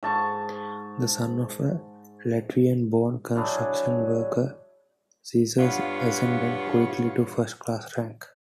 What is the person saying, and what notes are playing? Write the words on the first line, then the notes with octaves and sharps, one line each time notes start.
The son of a Latvian-born construction worker, Zesers ascended quickly to first-class ranks.
G#2 A5 C#6
F#3 D4 E4 G#4
G2 B3 F4 C#5 F5 F#5